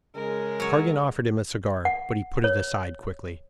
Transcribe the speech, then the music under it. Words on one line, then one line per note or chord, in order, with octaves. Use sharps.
Cargan offered him a cigar, but he put it aside quickly.
C#3 G#3 A#4
F#3 C#5
F#5
C#5